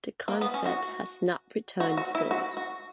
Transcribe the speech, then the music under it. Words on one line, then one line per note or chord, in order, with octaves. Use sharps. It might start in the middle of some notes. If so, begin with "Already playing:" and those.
The concert has not returned since.
A#3
B3
C#4
F#4
F#4
F#4
E4
F#4
F#4